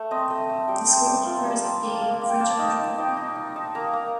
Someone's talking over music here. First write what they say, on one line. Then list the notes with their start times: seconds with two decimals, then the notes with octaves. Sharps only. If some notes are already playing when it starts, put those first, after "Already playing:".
The school also offers a French Immersion program.
Already playing: A3
0.11 C4 D#5
0.30 A3
0.49 A3
0.68 G3 G5
0.86 C4 G5
0.97 A5
1.06 G3
1.26 F4
1.38 A#5
1.45 G3
1.51 A5
1.64 C4 A#5
1.82 A#3 A5
2.02 A#3
2.21 A#3
2.29 G5
2.40 A#3 A5
2.59 D#4
2.69 A5
2.79 D#4
2.98 D#4 G5
3.17 D#4
3.36 D#4
3.56 D#4 A5
3.75 A#3 A#5
3.93 A#3 A#5